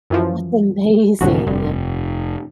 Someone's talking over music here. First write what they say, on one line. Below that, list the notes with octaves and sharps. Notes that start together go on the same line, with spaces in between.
That's amazing.
F#2 E3 F3
C2 F2 A2 D3 F#4
F1 G2